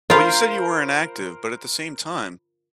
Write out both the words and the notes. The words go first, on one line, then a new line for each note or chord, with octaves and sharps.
Well, you said you were inactive, but at the same time,
F4 A#4 C5 F5 B5